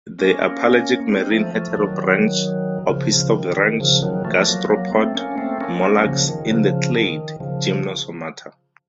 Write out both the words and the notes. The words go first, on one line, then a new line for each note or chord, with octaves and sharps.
They are pelagic marine heterobranch opisthobranch gastropod mollusks in the clade Gymnosomata.
A#3 C#4
C4 D#4
F3 A3
F3 A3
F3
D#3 F#3
C#3 F3
C#3 F3
D#3
D#3
C#3 F3
D#3 F#3
F3 A3
F#3 A#3
F#3 A#3
A3 C4
A#3 C#4
A3 C4
A#3 C#4
A#3 C#4
F#3
C#3 F3
D#3
F#3
C#3 F3
D#3
C#3 F3